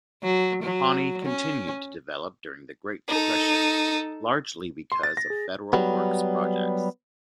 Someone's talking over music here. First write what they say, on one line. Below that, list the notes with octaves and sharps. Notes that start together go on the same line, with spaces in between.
Pawnee continued to develop during the Great Depression, largely because of Federal works projects.
F#3
F#3
C#4
D#4 A4
C6
A6
A#6
G#4
F#3 G3 B3